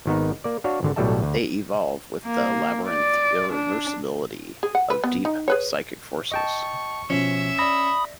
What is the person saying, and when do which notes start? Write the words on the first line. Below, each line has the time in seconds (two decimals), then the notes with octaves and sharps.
They evolve...with the labyrinthine irreversibility of deep psychic forces.
0.06 G#1 D#3 B3 D#4
0.44 A#3 D5
0.64 D4 F#4 C#5 F5
0.83 G#1 D3
0.96 B1 A2 F#3 G3 E5 A5
1.22 D2
2.26 A#3
2.90 D5
3.52 D4
4.63 G#4
4.75 F#5
4.90 B4
5.04 B3
5.25 D#4
5.48 G#4 B4 C#5
6.32 D#5 G5 A5 C#6
7.10 B2 F3 C#4 E5 E6
7.59 D5 B5 D#6 A#6